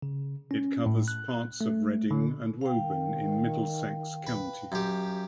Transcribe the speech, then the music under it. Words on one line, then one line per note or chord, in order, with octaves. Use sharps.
It covers parts of Reading and Woburn in Middlesex County.
C#3
C#4
A2
F#6
A3
D3
F5 G5
D#3
B4
F#2 G4